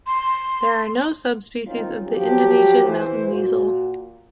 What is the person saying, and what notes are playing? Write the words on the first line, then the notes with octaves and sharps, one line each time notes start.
There are no subspecies of the Indonesian mountain weasel.
C6
D#3 F3 C4 C#4 D#4 F4
F3 F#3 G4
E3 C5
A#2 F#4